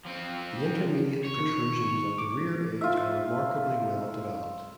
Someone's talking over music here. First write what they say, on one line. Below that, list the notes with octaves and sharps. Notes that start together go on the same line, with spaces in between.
The intermediate protrusions at the rear edge are remarkably well developed.
F3 C4
C#5
D#3
D6
F4 E5